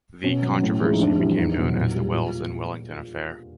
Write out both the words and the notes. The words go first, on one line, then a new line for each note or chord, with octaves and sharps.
The controversy became known as the Wells and Wellington affair.
B2 C#4
F#3
A2
F3 G#3 E4
D#4
F2 D4
C3 E3 G3
E2 D#4
B2 F#3
A#2
G3
A#2 F4